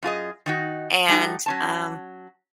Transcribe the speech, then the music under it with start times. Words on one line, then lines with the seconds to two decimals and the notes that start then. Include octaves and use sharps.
and, um,
0.03 F#2 F4 G#4 D#5
0.46 D#3 D#4 F#4
1.09 G3 A3 D#4 F#4
1.46 F#3 C#4 A5